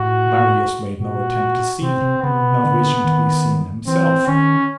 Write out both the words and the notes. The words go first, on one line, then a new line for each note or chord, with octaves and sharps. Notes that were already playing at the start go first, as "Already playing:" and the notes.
Marius made no attempt to see, not wishing to be seen himself.
Already playing: A2 F#4
A#2 F#4
C3 C4
C3
C#3 B3
C3
B2
C3
D3
D#3
E3 C4
D#3 C#4